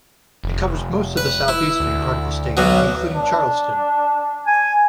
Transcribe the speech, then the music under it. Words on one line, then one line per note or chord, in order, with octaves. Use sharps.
It covers most of the southeastern part of the state, including Charleston.
F1
B4
E4
D2
B1 B2 F#3
D4
G#5